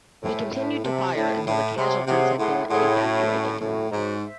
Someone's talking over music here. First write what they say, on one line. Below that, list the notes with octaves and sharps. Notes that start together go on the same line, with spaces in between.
He continued to fire until the casualties had been evacuated.
A2 A4 C5 E5 G#5
A2 C5 E5 A5
C3 C5 E5 A5
A2 C5 E5 A5
A2 C5 E5 A5
C3 G#4 C#5 F#5 C6
C3 G#4 C#5 F#5 C6
A2 G#4 C#5 F#5 C6
A2 G#4 C#5 F#5 C6
C#4 F#4 C#5
C#4 F#4 C#5
A2 C#4 F#4 C#5
G#2 C#4 F#4 C#5
C5 E5